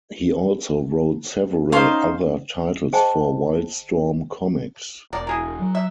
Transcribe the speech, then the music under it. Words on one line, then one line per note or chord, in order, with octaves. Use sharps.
He also wrote several other titles for Wildstorm Comics.
C#4 D#4 C5 F5 C6
G#4 C5 D#5 G5 A5
E1 A#4 D5
E4 G#4 A#4
F#3
E5